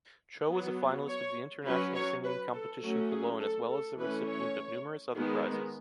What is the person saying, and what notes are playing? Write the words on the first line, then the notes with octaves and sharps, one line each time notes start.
Cho was a finalist of the International Singing Competition Cologne as well as the recipient of numerous other prizes.
F#3 B3
C#5
F#3 C#4 B4
C#5
B4
A4
F#3 A3 C#4 F#4
G#4
A4
A4
E3 A3 C#4 B4
C#5
D#3 G#3 B3